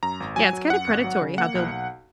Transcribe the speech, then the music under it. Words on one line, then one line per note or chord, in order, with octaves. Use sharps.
Yeah, it's kinda predatory how they'll
F#2 A#5
G#1
F#3 G#5
F#3
F#2 F#5
G#1
F#3
C#3
A#3 F#5
B1
B1